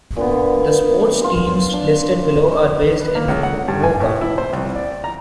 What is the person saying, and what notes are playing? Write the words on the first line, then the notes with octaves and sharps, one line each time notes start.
The sports teams listed below are based in Fukuoka.
A#2 D3 B3
F4 C6
D4
B4
A#3
C#2
F#5
G2
G#5
A2
E4
C5
C2
D5
A#5